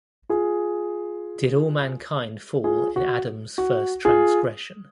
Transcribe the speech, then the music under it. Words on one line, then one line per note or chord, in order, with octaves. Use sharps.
Did all mankind fall in Adam’s first transgression?
F4 G#4
F4 G#4
F#4
F#4
F4 G#4